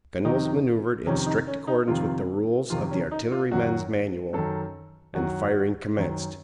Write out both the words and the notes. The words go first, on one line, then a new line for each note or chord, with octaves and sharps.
The gun was maneuvered in strict accordance with the rules of "The Artilleryman's Manual," and the firing commenced.
F2 C3 D#3 D#4
F2 C3 D#3 C#4
D#4
C#4
D#4
F2 C3 D#3 F4
F2 C3 D#3 F4
C#4
D#4
F4
F#2 D#3 F#4
F#2 D#3 A4
F#2 D#3 F#4
F#2 D#3